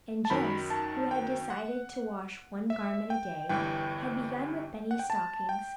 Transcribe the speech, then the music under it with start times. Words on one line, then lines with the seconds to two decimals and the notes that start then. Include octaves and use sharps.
And Jess, who had decided to wash one garment a day, had begun with Benny's stockings.
0.25 A5
0.30 F#2 D#3 F#3 B5
0.70 A5
1.11 G5
1.50 F#5
2.70 E5
3.10 G5
3.49 G1 G2 E3 G5
4.91 F#5
4.99 G5
5.10 A5
5.49 G5